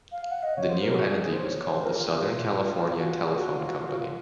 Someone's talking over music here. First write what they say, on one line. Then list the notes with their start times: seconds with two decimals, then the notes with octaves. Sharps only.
The new entity was called The Southern California Telephone C.
0.12 F5
0.26 F5
0.31 F#5
0.43 D#5
0.56 C#5
0.69 C5
0.82 A#4
0.95 F#4
1.07 G#4
1.20 G#4
1.33 C5
1.46 C#5
1.58 C#5
1.70 C5
1.84 A#4
1.97 F4
2.09 F4
2.99 F#4
3.12 F4
3.25 G#4
3.37 F#4
3.56 F4
3.67 F#4
3.77 F4
3.87 F#4
3.99 F4